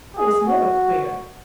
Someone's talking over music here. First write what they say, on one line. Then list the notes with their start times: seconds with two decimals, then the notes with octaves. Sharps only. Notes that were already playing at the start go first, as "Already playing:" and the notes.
I was never queer.
0.17 G#4
0.47 F#4